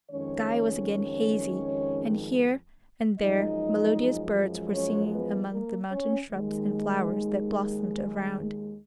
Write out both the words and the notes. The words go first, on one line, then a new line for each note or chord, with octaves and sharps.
The sky was again hazy, and here and there melodious birds were singing among the mountain shrubs and flowers that blossomed around.
F2 D#3 G#3 C#4 C#5
F#2 F3 G#3 D#4 D#5
C#4 C#5
B3 B4
A#3 A#4
C#4 C#5
D#2 D#3 G#3